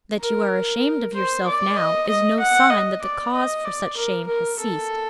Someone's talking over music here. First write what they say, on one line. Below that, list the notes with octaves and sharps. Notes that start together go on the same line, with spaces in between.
That you are ashamed of yourself now is no sign that the cause for such shame has ceased.
A#4
C5
D5
D#5
D#5
F#5
D#5
D5
D#5
D5
A#4
A#4
A4